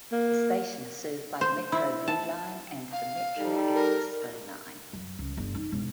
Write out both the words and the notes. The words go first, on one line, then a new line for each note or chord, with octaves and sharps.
The station is served by the Metro Blue Line and the Metro Expo Line.
A#3
C5
E4
A5
F5
G3 D#4 A4
A#4
F#2
C#2
G1
D#4
E1